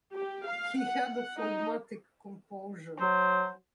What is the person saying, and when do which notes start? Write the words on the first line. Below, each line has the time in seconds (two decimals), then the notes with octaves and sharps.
He had a phlegmatic composure.
0.13 G4
0.47 F5
0.79 F#5
1.38 D#4
2.99 F#3 C5